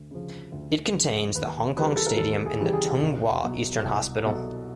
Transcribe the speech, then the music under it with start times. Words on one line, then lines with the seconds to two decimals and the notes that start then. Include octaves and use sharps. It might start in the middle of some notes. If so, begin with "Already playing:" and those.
It contains the Hong Kong Stadium and the Tung Wah Eastern Hospital.
Already playing: D2
0.11 C#3 F3
0.52 D2
0.94 C#3 F3
1.35 D#2 B4
1.77 C#3 E3 G3 B4
1.87 A#4
1.97 A4
2.07 A#4
2.18 D#2 A4
2.46 G#4
2.60 C#3 E3 G3
2.66 G4
2.73 G#4
3.01 C2
3.43 B2 F#3
3.84 C2
4.25 B2 F#3 A4